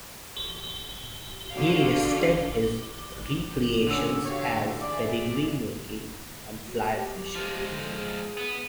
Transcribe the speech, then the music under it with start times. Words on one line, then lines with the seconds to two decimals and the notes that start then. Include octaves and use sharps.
He listed his recreations as pedigree making and fly fishing.
1.54 D3 F#4 D5 F5
3.87 D3 C#4 F#5 G#5 E6
4.24 F#4 G4 C#5 F5
4.82 G#4 D5 E5
6.67 F#4
6.94 G4
7.36 F3 G#3
7.69 D3
7.95 G#4
8.38 B3